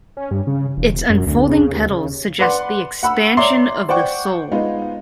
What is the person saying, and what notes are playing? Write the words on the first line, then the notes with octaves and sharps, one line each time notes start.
Its unfolding petals suggest the expansion of the soul.
C#4
G2
C#3
E1
F#2
D2
C#3
D#2
C#3
B4 D5 F#5 C6
F#5 B5 E6
C#5 D5 E5 A#5 C6 C7
C5 D5 F#5 G5 C#6
G#3 B3 D#4 F4